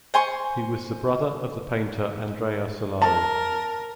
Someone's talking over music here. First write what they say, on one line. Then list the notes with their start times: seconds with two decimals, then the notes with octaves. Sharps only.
He was the brother of the painter Andrea Solari.
0.14 C5 G#5 C6 C#6
3.02 A#4 A5